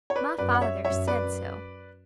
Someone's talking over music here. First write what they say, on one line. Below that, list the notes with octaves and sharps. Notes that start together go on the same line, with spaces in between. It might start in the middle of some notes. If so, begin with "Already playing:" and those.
My father said so.
C#5
B4 D5
F#2 B4 D5
F#5
C#5 E5
F#2 C#5 E5
B4 D5